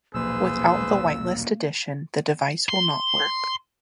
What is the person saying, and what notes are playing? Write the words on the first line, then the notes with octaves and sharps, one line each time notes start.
Without the whitelist addition, the device will not work.
D#1 B1 F3 A#3 G#4 B4 C5 E6
C6